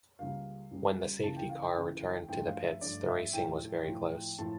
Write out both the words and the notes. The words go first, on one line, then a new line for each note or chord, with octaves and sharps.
When the safety car returned to the pits the racing was very close.
C#2 C#3 G3 A#3 F5
C#2 C#3 G3 A#3
C#2 C#3 E3 A#3 A5
G5
F5
G5
C#2 C#3 E3 A#3
G2 F3 A3 G5
F5
E5
G2 F3 A3 D5
E5
A2 F3 A3 G5
A2 F3 A3
A2 F3 A#3 A5